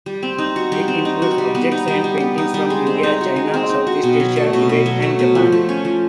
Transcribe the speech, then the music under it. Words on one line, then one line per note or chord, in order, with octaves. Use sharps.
It includes objects and paintings from India, China, Southeast Asia, Tibet and Japan.
G3
C4
D#4
F#4
G3
C4
D#4
F#4
G3
B3
D#4
G3
G3
B3
D#4
G3
G#3
C4
D#4
F#4
G#3
C4
D#4
F#4
B2
F#3
A3
B2
B2
F#3
A3
B2
F3
A3
C#4
F3